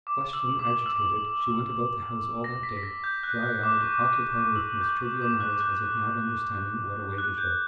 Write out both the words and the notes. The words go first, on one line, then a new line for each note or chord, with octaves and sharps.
Flushed and agitated she went about the house all that day, dry-eyed, occupied with most trivial matters as if not understanding what awaited her.
D6
E6
D6
E6
A#6
B6
B6
A#6
G6
F#6
F#6
D6
C#6
C#6
E6
G6
D6
D6
F#6
F#6
F#6
G6